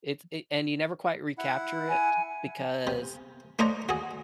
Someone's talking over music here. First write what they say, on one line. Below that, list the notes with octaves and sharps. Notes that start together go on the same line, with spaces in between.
it's it and you never quite recapture it because
E4 F#5
G#5
C3
A3 D4 D#4 C5 C#5 A#5
F#4 G#4